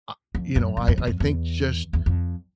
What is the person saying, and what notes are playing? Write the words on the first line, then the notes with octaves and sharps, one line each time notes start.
Ah you know, I I think just
F2
F#2
F#2
F2
E2
F2
E2
E2
F2